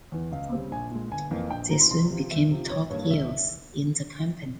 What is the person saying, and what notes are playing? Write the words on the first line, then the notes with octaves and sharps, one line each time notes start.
They soon became top heels in the company.
E2 E3
C#2 F5
C#3 G3 C4
A#1 G#5
A#2 G#3
G1 G#5
F2 E3 A#3
A#1 G5
G#2 F3 C4 A#5
C6
C2 C6
C3 F3
E2 E5
C3 F3
G#1 C#5
G2 G3 A#3 C#5
C#5
C#2 E5